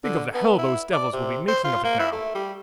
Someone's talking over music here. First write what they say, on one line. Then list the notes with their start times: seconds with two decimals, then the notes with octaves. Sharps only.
Think of the hell those devils will be making of it now!
0.04 D3
0.34 B3
0.58 E4
0.93 D5
1.13 C3
1.48 C5
1.64 F4
1.84 A#3
1.99 E4
2.12 A3
2.35 G3